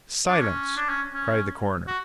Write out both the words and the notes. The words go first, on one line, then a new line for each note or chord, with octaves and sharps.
"Silence!" cried the coroner.
D4
C#4
D4
C#4
C#4
F#4